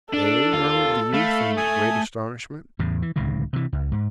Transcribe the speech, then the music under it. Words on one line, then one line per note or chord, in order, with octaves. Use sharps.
"Eh?" murmured the youth in great astonishment.
D4 A4
D#2 A#3 F4
A3 F5 B5
G#5 D#6
E2 A2 C#3
E3
D1 C#2 C3 D#3
C3 E3
C#2
G#2